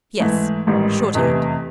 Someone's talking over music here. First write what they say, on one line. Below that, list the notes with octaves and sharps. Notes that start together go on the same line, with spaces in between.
'Yes, shorthand.
G#2 E3 A3
A1 G#2 D#3 G3
F1 E2 C3 E3 A3